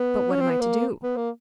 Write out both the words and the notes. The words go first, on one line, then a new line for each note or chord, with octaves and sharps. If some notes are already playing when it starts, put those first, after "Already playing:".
"But what am I to do?"
Already playing: B3
C#4
C4
B3
A#3
B3
A#3